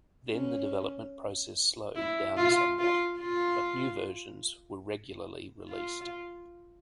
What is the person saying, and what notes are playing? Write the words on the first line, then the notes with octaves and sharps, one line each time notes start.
Then the development process slowed down somewhat but new versions were regularly released.
C#4
E4
F4
F4
F4
F4